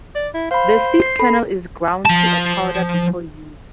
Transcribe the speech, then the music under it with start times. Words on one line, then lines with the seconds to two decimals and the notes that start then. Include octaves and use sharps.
The seed kernel is ground to a powder before use.
0.15 D5
0.34 E4
0.51 C5 F5 B5
1.02 C7
1.19 A4 B5
2.05 F3 A5